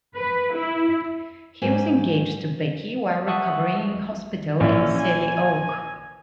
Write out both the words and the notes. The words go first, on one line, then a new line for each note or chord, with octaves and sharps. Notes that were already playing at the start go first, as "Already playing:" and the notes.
He was engaged to Becky while recovering in hospital in Selly Oak.
B4
E4
G#2 F#3 G4 G#5
E5 F#5 A5 C#6 D#6 F#6
A#1 C#4 E4
G#5